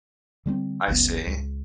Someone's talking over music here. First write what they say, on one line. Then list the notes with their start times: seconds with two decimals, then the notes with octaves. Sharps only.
I see.
0.46 D3 G3 A3 C4
0.88 F#1 C#2 B2 B3
1.27 C#2